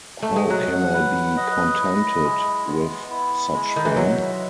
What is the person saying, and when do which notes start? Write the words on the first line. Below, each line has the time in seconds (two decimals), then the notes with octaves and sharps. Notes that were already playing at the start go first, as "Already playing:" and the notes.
How can I be contented with such fame?
0.22 A3
0.36 G#3
0.50 F#3 F#5
0.93 B4
1.37 D#5
1.80 E4
2.23 G#3
2.66 B3
3.09 E4
3.53 G#3
3.76 D#3
3.85 E3
3.96 F#3 E5